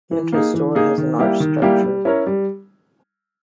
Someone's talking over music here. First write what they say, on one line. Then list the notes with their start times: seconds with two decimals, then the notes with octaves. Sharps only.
The entrance door has an arched structure.
0.11 E3
0.32 A#3 D#4 G#4
0.54 E3
0.75 A#3 D#4 G#4
0.98 D#3
1.19 G3 A#3 E4 G4
1.40 D#3
1.62 G3 A#3 E4 G4
1.83 G3
2.05 C#4 E4 A#4 C#5
2.27 G3